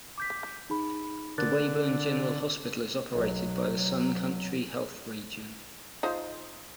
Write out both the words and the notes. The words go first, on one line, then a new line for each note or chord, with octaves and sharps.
The Weyburn General Hospital is operated by the SunCountry Health Region.
D6 G6 B6
D#4 G#4 B5
D3 A#4 F#6 A6
B1 F#3
D#4 F4 C5